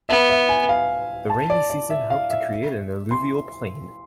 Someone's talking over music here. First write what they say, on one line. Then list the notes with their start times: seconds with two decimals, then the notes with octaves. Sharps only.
The rainy season helped to create an Alluvial plain.
0.09 B3 E5
0.29 E5
0.49 G#5
0.69 F5
1.30 A5
1.50 D5
1.70 D5
1.90 E5
2.10 F5
2.30 E5
3.11 C6